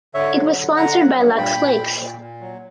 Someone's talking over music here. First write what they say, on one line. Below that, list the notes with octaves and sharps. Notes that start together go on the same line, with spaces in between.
It was sponsored by Lux Flakes.
D3 C#5 E5
F#3
D3
D3 F#5 A#5
F#3
G2
A#2 G5 B5
A#2
A#2
A#2
A#2
F#3